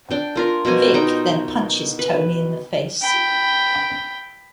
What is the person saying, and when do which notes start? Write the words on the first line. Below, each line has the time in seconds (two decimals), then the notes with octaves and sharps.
Vic then punches Tony in the face.
0.11 D4 G5
0.36 A#3 F4 A#4
0.65 B2 A#3 C5 G#5
0.94 D#4 G5
1.99 B4
3.02 G5 B5